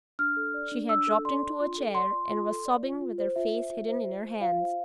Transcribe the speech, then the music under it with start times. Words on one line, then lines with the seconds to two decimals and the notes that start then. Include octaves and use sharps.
She had dropped into a chair and was sobbing with her face hidden in her hands.
0.19 D4 F6
0.36 A4
0.54 D5
0.72 D4
0.89 D4 E6
1.07 A4
1.25 D5 C6
1.43 D4
1.60 F4
1.78 A4
1.95 D5 C6
2.12 F4
2.31 F4
2.48 A4
2.66 D5
2.83 F4
3.01 F4
3.18 C5
3.36 F4 E5
3.54 C5
3.71 F4
3.88 C5
4.06 F4
4.24 C5
4.41 F4 F5
4.59 C5